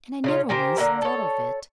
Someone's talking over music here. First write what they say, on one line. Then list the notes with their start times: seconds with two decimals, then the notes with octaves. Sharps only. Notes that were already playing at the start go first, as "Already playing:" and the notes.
"And I never once thought of it."
0.24 C#3 C#4 F4
0.49 G4 A#4 C5 G#5
0.77 D3 A#3 E4 A#4
1.02 A4 C#5